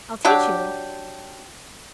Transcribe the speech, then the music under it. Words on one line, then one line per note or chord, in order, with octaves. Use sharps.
"I'll teach you."
F#3 D4 G4